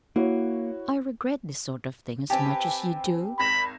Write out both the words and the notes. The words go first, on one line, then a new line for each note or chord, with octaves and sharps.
I regret this sort of thing as much as you do.
A#3 E4 F#4 C#5
C4 G4 B4 G#5 A5
G#1 B5 A#6 E7